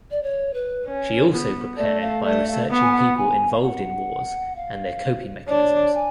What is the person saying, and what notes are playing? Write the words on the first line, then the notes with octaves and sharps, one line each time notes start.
She also prepared by researching people involved in wars and their coping mechanisms.
D5
C#5
B4
C#4
B3
A3 D5
F5
A3 D5
F5
B3 F#5
G#5
F#5
G#5
F5
F#5
F5
D4 C#5
G#5